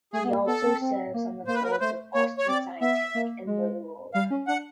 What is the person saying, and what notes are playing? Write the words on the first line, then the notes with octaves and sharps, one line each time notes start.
He also serves on the boards of Boston Scientific and Motorola.
A3 G#4
B3
A#3
B3 A4
C4
C4
A#3
A#3 C5
B4
A#4
B4
A3 C5
A#3 C#5
C#5
C4 D5
B3 E5
A#3
G#3
G3 F5
C#4
D4 F#5